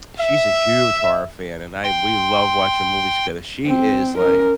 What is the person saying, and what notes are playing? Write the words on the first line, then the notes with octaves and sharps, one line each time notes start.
she's a huge horror fan, and I we love watching movies together. She is, like,
E5
G5 C6
C4
C#4 A#4